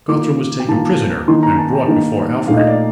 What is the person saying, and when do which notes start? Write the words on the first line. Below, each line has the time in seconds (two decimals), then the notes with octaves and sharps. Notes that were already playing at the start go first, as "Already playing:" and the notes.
Guthrum was taken prisoner and brought before Alfred.
0.08 D#3 A#3 F4 D6
0.60 G5
0.68 D#3 A#3 F4 A5
1.27 D#3 A#3 D#4 C6
1.43 A#5
1.58 A5
1.73 G5
1.88 D#3 A#3 D#4
2.47 A#2 A3 D#4 F5
2.57 D#5
2.68 D5